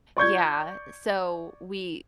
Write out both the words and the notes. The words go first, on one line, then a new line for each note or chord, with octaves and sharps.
yeah, so we
D5 C#6 G6 G#6